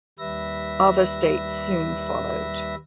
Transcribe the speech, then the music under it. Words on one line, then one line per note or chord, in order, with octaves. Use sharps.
Other states soon followed.
D#2 G3 B4 E5 A#6